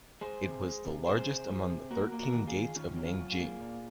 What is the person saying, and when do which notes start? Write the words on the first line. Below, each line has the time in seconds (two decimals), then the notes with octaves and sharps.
It was the largest among the thirteen gates of Nanjing.
0.21 G#3 G#4 C5
0.43 C3
0.64 G#3
0.85 C3
1.06 C3 G#4 C5
1.27 C3
1.48 F3
1.70 C3
1.91 A#3 F#4 A#4
2.12 A#3
2.19 F#4 A#4
2.33 D#3
2.47 F4 G#4
2.55 D#3
2.75 D#3 C#4 F4
2.97 F#3
3.04 C#4 F4
3.18 F#3
3.32 F4 G#4
3.39 A#3
3.60 A#2